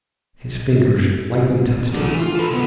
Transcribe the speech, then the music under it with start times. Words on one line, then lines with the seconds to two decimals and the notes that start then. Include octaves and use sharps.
His fingers lightly touched it.
1.93 A3 D4
2.07 E3 E4
2.19 F4
2.35 A4 B4
2.51 C#2 B3